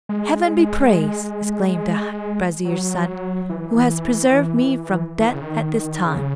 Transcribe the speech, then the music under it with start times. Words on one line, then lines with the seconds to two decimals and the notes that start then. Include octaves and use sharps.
"Heaven be praised," exclaimed the vizier's son, "who has preserved me from death at this time!"
0.09 G#3
2.65 F#3
3.49 E3
5.20 E3
5.27 D#3
5.34 C#3
5.42 D#3
6.05 C#3